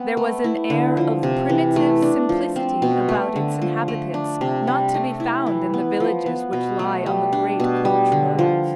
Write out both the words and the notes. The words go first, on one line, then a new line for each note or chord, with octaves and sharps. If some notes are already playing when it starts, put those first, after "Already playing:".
There was an air of primitive simplicity about its inhabitants not to be found in the villages which lie on the great coach-roads.
Already playing: B3 C4
A3
E4
D3
F3
C3
E3
A3
D4
F3
C4
B2
A3
D3
F3
A3
D4
C3
G3
A3
E4
E3
B3
F3
B3
B2
A3
G3
D4
B2
G3
D3
F3